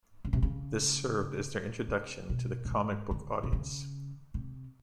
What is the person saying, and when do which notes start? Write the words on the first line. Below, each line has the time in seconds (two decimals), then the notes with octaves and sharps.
This served as their introduction to the comic book audience.
0.25 C#3
0.33 C3
0.43 C#3
1.88 C3
2.29 B2
2.65 A2
2.71 G#2
3.11 D3
3.43 C3
3.52 C#3
4.34 C3